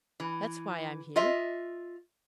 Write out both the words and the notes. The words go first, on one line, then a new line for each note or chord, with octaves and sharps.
That's why I'm here.
E3
F4 D#5 E5